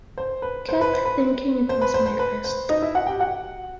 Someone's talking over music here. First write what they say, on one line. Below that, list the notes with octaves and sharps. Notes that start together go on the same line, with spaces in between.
Kept thinking it was my vest.
C5
B4
C5
B4
C5
B4
C5
B4
C5
C5
B4
C5
D#4 D#5
E4 E5
F#4 F#5
G4 G5
F#4 F#5